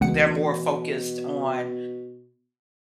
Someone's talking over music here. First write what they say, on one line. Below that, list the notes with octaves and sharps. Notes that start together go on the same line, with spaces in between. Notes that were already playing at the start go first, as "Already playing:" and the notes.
they're more focused on,
C#2 B2 E3 A3 B3 F#5 C#7